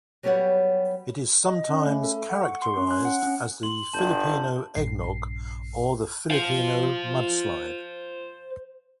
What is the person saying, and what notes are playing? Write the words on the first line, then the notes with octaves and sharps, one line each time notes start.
It is sometimes characterized as the "Filipino eggnog" or the "Filipino mudslide".
F#3 G3 B3 G4 C#5 F#5
D#5
C#4
A3
A4
F#5
C#6
C6
C#4
F#6
F#5
C#4
C6 F#7
G1 A5 G6
A#1 G2 C7
C5 F5